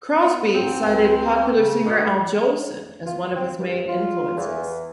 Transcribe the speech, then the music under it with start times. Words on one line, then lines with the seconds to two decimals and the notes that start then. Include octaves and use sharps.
Crosby cited popular singer Al Jolson as one of his main influences.
0.23 B3
0.55 G#2 C4
0.86 C#2
1.55 C#3
1.84 D2 G#2 B2
3.05 F4
3.35 C4
3.59 G2
3.88 F4
4.37 E2